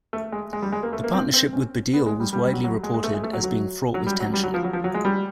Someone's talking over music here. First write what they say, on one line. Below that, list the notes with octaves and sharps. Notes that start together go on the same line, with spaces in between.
The partnership with Baddiel was widely reported as being fraught with tension.
A3
G#3
G#3
G3
G#3
A#3
A3
A#3
C4
C4
C#4
B3
G#3
G3
G3
G3
F#3
F#3
G#3
G#3
A3
G#3
A3
F#3
F#3
F#3
G3
F#3
G3
F#3
F3
F#3
F3
F#3
G#3
G3